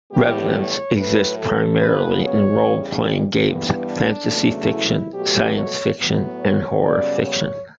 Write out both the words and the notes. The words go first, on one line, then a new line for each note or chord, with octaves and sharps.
Revenants exist primarily in role-playing games, fantasy fiction, science fiction, and horror fiction.
A2 E3 G3 B3 G4
C#5
A2 F#3 A3 B4
A4
C#3 F#3 B3 B4
C#5
E2 C#3 G3
G2 E3 G3 B3
D4
E2 C#3 F#3 A3
E4
B2 F#3 A3 G4
C#5
A2 F#3 B3
C#5
F#2 C#3 G3 B3 D5
C#5